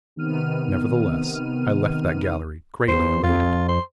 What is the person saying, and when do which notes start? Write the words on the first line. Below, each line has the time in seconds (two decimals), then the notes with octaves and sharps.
Nevertheless I left that gallery greatly elated.
0.16 C3 D#3 B3 F6 D#7
2.88 E2 C5
3.24 F2 F4
3.68 C5